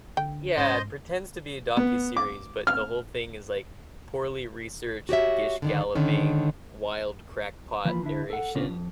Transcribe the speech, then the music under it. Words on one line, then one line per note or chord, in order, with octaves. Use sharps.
yeah, it pretends to be a docuseries, but the whole thing is, like, poorly researched, gish galloping, wild crackpot narration.
D3 G5
G#2 C#4 C5 D#5 C6
B3
D6
F6
F#4 G4 C#5 E5
D3 D#3 D4
D3 D#3 C#4
E3 F3 A#3 F4 A#5 B5
D3 E4
A4 F#5
A#2 C#3 B3 C#4 D4 F4
F2